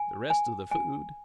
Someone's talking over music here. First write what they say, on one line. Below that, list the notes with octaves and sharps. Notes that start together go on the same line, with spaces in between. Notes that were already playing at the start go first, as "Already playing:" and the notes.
"The rest of the food?"
Already playing: G#5
G#5
G#5